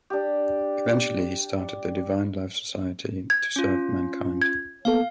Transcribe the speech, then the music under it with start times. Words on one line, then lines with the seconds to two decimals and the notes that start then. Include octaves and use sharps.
Eventually, he started the Divine Life Society to serve mankind.
0.10 D4 G4
3.30 G#6
3.56 C#4 F4
4.42 G#6
4.85 A#3 B3 A4 F5